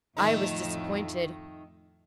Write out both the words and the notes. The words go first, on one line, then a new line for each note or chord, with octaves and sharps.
I was disappointed.
F2 A2 D#3 A3 D#4